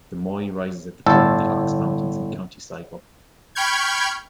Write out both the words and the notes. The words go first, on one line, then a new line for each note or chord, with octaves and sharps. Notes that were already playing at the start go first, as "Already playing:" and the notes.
The Moy rises at the foot of the Ox Mountains in County Sligo.
G1 A2 A4
G5 B5 C#6 F6 G6 G#6